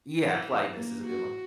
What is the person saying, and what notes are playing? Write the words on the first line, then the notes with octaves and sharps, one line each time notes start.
Yeah. Politeness is a good one.
E3
A#3
F#4